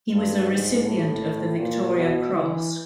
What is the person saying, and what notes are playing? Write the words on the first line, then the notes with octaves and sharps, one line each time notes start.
He was a recipient of the Victoria Cross.
G2
G#2
A2
A#2
B2
E3